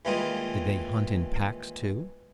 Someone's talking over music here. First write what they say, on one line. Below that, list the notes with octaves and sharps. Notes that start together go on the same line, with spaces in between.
Did they hunt in packs, too?
D#2 E3 G3 G#3 F4 D#6